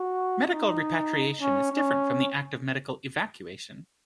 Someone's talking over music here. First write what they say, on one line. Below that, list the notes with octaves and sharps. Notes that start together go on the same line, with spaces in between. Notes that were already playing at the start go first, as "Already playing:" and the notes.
Medical repatriation is different from the act of medical evacuation.
Already playing: F#4
D#4
C#4
C#4